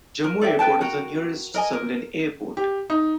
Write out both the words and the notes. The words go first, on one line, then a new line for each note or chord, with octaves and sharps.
Jammu airport is the nearest civilian airport.
A#4
A4 D5 E5 G5
A4 B4 G5 A5
F#4 A#4 G5
A#4 D#5 G#5
A#4
G4
D#4